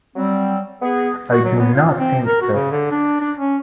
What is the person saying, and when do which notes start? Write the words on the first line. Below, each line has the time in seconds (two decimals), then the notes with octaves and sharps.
I do not think so.
0.16 F#3 G3 C4
0.82 B3 G#4
1.32 F#4
1.45 F#3
1.60 B3
1.74 F4
1.99 C4
2.27 A#4
2.42 F#4
2.54 C#3
2.71 D3
2.91 D4
3.21 D4
3.38 C#4